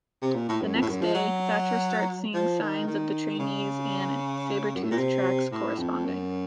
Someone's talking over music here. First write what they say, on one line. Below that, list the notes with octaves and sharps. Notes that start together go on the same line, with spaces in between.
The next day, Thatcher starts seeing signs of the trainees and sabretooth's tracks corresponding.
C3
A#2
A2
F#2
F2
A2
F#2
F3
F#3
F3
D#3
D#3
C#3
F#2
A2
A#2
C3
A2
F2
F#2